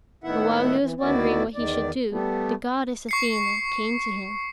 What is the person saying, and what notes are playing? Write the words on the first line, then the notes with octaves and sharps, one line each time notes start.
But while he was wondering what he should do, the goddess Athene came to him.
A2 D#3 B3 E4 E5 F#5
E3
D2 D#3 B3 E4 F#4 D5
E2 D#3 D5
G3 A3 B3
C#6 C7 C#7